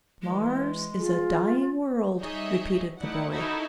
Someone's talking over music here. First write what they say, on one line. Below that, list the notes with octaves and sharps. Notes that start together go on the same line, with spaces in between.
"Mars is a dying world," repeated the boy.
E3 G#3
F4 G#4
G3 D#4 G#4 C#5 D#5 E5
A3 D#4 E4 D5 F#5
C#4 D#4 E4 F#4 A4 A#4